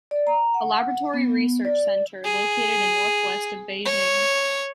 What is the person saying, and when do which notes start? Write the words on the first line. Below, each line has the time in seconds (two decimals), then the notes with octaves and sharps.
A Laboratory Research centre located in northwest of Beijing.
0.11 D5
0.27 A#5
0.54 F#5
1.14 B3
1.65 D5
2.25 G#4
3.86 C#5